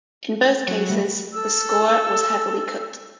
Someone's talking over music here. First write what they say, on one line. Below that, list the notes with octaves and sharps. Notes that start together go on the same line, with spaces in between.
In both cases, the score was heavily cut.
F#3
G3 A3
A4 E6